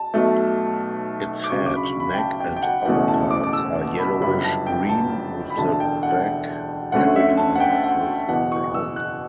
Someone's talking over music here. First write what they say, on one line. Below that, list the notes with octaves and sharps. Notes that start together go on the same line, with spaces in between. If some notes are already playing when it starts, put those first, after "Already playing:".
Its head, neck and upperparts are yellowish-green, with the back heavily marked with brown.
Already playing: A5
B1 B2 F#3 A3
D6
D2 C#3 F#3 C#6
D6
B5
C#6
B5
G5
A5
G5
G5
F#5
F#1 E2 B2 A3 C#4 F#5
A5
D6
D6
E6
B5
G1 F#2 C#3 G3 B5
A5
G5
A5
B5
E1 D2 D3 A5
A5
G5
F#5
D2 D3 A3 C#4 F#5
E5
A5
F#5
G5
F#5
F#1 E2 B2 F#5
C#6
E6
F#6